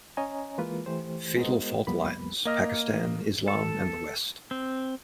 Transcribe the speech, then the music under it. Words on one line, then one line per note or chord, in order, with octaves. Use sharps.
"Fatal Faultlines: Pakistan, Islam and the West".
C#4 C#5 D#5 G#5 A#5
E3 G#3 A#3 F4 B4
E3 A3 G4 C5
G#3 B3 F#4 A#4 C5 D#5
C2 F2 G3 A#3 B3 B5
A#3 D#5 F6 A#6
A4
C4